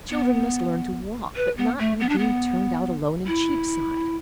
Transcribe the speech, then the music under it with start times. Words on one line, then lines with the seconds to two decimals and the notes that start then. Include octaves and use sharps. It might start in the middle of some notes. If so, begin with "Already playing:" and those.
Children must learn to walk, but not by being turned out alone in Cheapside.
0.10 B3
1.36 B4
1.57 B3
1.79 A3
2.00 B3
2.09 D4
2.18 B3
3.27 E4